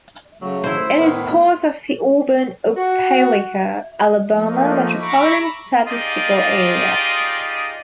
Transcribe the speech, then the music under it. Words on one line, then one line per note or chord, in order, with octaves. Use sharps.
It is part of the Auburn-Opelika, Alabama Metropolitan Statistical Area.
C#3 F#3 A3
E4 C5
A2 D#3 B3
F#4
F3 A3 A#3 D#4
E5 A#5 B5 C#6 D6
D#4 F4 G4 G#4 D5 D#5